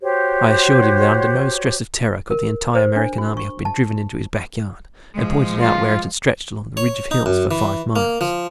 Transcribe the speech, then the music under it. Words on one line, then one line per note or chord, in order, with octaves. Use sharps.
I assured him that under no stress of terror could the entire American army have been driven into his back yard, and pointed out where it had stretched along the ridge of hills for five miles.
F#4 G4 C5 C#5
A#4
C5
D4
F#4
C#6
A5
F3 G#3
F4
C#5
D#4
F#2
E3
A#3
F3